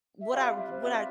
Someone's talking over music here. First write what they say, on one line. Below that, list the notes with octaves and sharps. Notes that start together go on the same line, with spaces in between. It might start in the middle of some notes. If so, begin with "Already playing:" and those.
what I what I
E5
G3 C4 F4 B4 F5
F5
E5
C5
G3 C4 F4 B4 E5